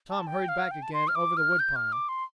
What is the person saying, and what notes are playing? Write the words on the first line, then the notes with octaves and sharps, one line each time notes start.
Tom hurried back again over the wood pile.
A5
G5
F5
G5
A5
C6
F6
D6
F6
G6
F6
D6
C6